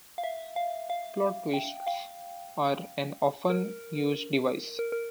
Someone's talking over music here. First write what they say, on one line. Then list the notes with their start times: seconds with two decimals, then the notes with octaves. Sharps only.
Plot twists are an often used device.
0.18 F5
0.24 E5
0.56 F5
0.90 F5
1.54 G5
1.87 F5
3.50 A#4
4.79 A#4
4.92 A#4